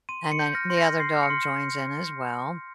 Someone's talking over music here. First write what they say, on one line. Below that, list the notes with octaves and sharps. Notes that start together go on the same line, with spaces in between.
and then the other dog joins in as well.
C6 D#7
C6
C#7
G6
F6 A#6
C6
A#6
F6
C6 C7
F6
C#7
C6